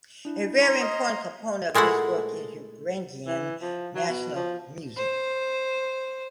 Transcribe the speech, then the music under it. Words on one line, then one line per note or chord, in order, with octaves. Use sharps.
A very important component of this work is Ukrainian national music.
D4 E4
A#5 C6
D#5 D#6 F6 G#6
A#2 G#3 A3 E4 F#5
E3
F3
F#3
B2
F3
C5